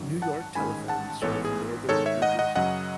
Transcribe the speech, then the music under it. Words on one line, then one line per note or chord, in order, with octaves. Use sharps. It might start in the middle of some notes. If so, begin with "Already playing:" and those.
New York Telephone served northern New Jersey.
Already playing: G#1 F#2 D#3 F#3
F#5 A5
A1 G#2 D#3 G#3 C#4 G#5 B5
F#5 A5
A1 G#2 E3 B3 A4 C#5
G#4
G#2 D#3 G#3 D#4 A4 C#5
C#5 E5
D#5 F#5
D#5 F#5
F#2 C#3 F#3 C#4 D#5 F#5